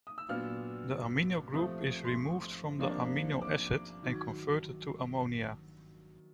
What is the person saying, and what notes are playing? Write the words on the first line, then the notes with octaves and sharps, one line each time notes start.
The amino group is removed from the amino acid and converted to ammonia.
D#6
E6
A#2 F#3 B3 D4 F4 F6
C3 F3 A3 D#6
C6
C#6
C3 F3 A#3 D4 F4
D6
D#3 F#3